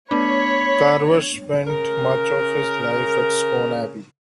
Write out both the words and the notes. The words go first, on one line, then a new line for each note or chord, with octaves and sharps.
Carver spent much of his life at Scone Abbey.
A3 B3 D4 C#5 B5
C#3 A#4